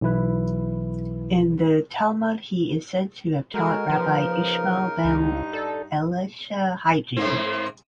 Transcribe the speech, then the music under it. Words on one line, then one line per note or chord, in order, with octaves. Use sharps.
In the Talmud he is said to have taught Rabbi Ishmael ben Elisha hygiene.
B1 E3 E4 B4
G#3 F#4 A4 A#4
C#3 F3 A#3 D#4 B4
C#2 G2 D#4 E4
A4 D5
G#2 A#3 C4